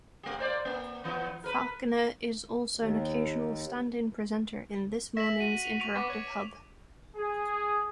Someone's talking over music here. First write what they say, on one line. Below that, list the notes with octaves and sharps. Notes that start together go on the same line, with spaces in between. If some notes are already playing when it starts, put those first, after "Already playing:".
Falconer is also an occasional stand-in presenter in "This Morning's" interactive "hub".
A3 G4
A#3 C5 D5
A#3
E3 B3
A#4 B4
D#2
E5 A#6 B6 F#7
F#4 D#7
F7
C#6 D7 F7
B3 C#6 D6
C#5
G#4